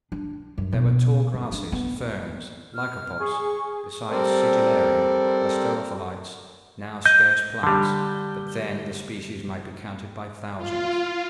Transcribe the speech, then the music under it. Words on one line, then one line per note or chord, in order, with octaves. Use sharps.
There were tall grasses, ferns, lycopods, besides sigillaria, asterophyllites, now scarce plants, but then the species might be counted by thousands.
D4
F#2
B2
G#1
D4
B3
F6
G#4 C#6
G3 C4 A4 A#4 C5 D5
D#5 G6
D3 G3
F4